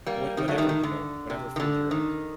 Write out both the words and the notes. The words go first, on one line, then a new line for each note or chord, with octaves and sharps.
what whatever, you know whatever field you're in.
G3 A#3
D#3 G3
F#3 A3
D#3 G3
D#3
D3
C3
D#3
D3
D#3